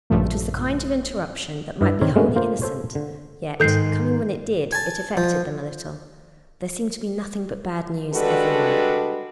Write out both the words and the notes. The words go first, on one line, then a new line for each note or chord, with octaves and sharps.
It was the kind of interruption that might be wholly innocent; yet, coming when it did, it affected them a little. There seemed to be nothing but bad news everywhere.
A#1 G2 C#3 F3 A3
G2 E4 E5
D#3 C4 A#4 C#5 D5
G#3 A3 B3 C#4 D4 F#4
A#3 F4 C5
A4 C5 C#5
D3
G#2 D#3 A4 G6 C7
G#5 A5
F3
G3 G#3 D4 F#4 A4 B4